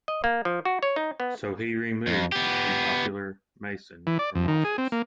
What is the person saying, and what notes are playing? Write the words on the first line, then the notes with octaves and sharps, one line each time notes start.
So he removed the popular Mason from office.
D#5
A#3
F3
F#4
C#5
D#4
B3
F2
B3 G4
E3
D5
F2
D#3
G#4
C4
A#3